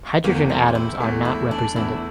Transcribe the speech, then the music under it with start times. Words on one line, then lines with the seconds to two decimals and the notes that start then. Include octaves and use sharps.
Hydrogen atoms are not represented.
0.24 E2 E3 A3 A#3
0.50 C4
0.75 E4
1.00 E2 E3 A3
1.25 E4
1.51 D4
1.76 E2 E3 A3 E4